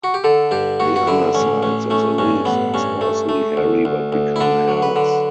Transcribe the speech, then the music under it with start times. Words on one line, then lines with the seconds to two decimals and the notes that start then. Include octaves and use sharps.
The undersides of the leaves are sparsely hairy but become hairless.
0.04 F#4
0.14 G4
0.24 D3 A4
0.51 G2 G4
0.80 G2 F#4
0.96 F#4
1.07 D3 E4
1.35 A1 C#4
1.62 A1 C#4
1.90 A3 C#4
2.18 G2 C#4
2.45 A1 B3
2.74 G2 C#4
3.01 A3
3.29 A3
3.57 D2
3.85 D2
4.12 D2
4.36 E4
4.40 D3 D4
4.68 F#3
4.82 B4
4.96 D3